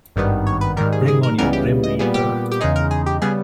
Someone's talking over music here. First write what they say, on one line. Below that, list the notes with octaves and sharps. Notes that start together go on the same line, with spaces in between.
Bring on your grim reaper!
G#1 G2 D#3 G3 B3
C#5
B4
G#2 D#3 G3 A#4
G#4
G#4
A#4
C#2 C#3 E3 G3 B3 A#4
G4
D#5
A#2 G3 B3 G#4
G4
G4
E2 C#3 G#3 D#4 G#4
A#4
G#4
G4
C#3 G3 B3 G#4